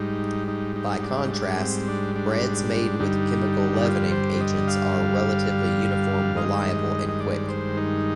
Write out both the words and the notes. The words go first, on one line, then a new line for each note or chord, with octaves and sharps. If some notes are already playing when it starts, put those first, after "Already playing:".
By contrast, breads made with chemical leavening agents are relatively uniform, reliable, and quick.
Already playing: G#2 G3 D#4
D#4
D#4
D4
D#4
D4
C4
D4
D4
G2 D3 G3 D#4
F4
C5
D#5
F5
G2 D#3 G#3 D#5
D#5
D5
C5
D#4